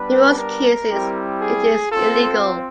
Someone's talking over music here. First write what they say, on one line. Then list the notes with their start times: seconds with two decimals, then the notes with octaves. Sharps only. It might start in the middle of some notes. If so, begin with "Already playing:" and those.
In most cases, it is illegal.
Already playing: G3 B3 D4 B4
0.38 A#4
0.90 G3 C4 E4 G4
1.41 G#4
1.91 C4 F4 A4